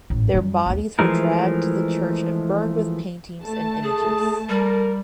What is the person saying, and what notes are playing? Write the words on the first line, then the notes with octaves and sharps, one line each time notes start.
Their bodies were dragged to the church and burned with paintings and images.
A1 G#2
F#2 G3
D#2 B3
E3 F3 G#3 A3 A#4
A3 A5
G#4
G3 A#4